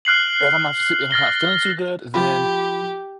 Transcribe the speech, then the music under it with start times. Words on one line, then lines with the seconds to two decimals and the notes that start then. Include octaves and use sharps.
if I'm not s if I'm not feeling too good, then,
0.05 F6 F#6 C7 F#7
1.11 F6 A6 A#6 G7
2.14 F3 F4 G4 B5